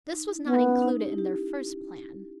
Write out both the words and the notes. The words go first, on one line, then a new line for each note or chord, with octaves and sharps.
This was not included in their first plan.
D#4
E4
B3 D#4
C#4
D#4
G4
E4
G4